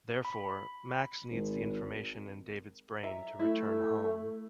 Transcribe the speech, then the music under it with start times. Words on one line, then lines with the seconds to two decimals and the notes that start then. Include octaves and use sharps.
Therefore, Max needs the information in David's brain to return home.
0.25 B5
1.31 G#1
3.03 E5 A#5
3.39 A3 E4